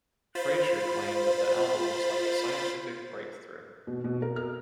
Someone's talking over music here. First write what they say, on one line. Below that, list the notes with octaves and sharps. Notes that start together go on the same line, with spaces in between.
Fraiture claimed that the album was "like a scientific breakthrough".
F4 C5 B5 A6
B2
B2
A#4
F6